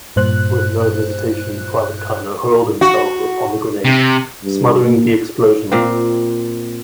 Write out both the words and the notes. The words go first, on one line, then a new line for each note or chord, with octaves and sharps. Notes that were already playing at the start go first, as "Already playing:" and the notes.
With no hesitation, Private Kiner hurled himself upon the grenade, smothering the explosion.
G2 A#2 C5 F#6
F#4
C3
G2
A#3
A#2 C4